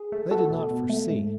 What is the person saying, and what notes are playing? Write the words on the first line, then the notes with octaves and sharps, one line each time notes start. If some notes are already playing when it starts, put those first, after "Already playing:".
They did not foresee....
Already playing: G#4
A3
A3 F#4 A4
B2
B2
A3
G#2